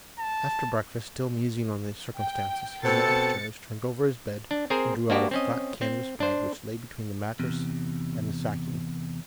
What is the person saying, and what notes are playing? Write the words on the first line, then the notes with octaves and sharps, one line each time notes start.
After breakfast, still musing on the circumstances, he went upstairs, turned over his bed, and drew out a flat canvas bag which lay between the mattress and the sacking.
A5
G5
B2 C4 A4 A6 C#7
D4
C4 G#4 A#4 C5 G#5
A#3 D4 F#4 G4
C4 C#4 D#5
C4
D4 C5
E2 C3